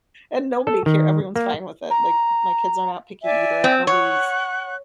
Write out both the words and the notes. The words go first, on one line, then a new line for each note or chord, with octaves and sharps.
and nobody care everyone's fine with it, like, my kids are not picky eaters, nobody's
A4
D#3
A#3
A#5
D5 E5 G#5
C4
C#5 F#5 C#6 F#6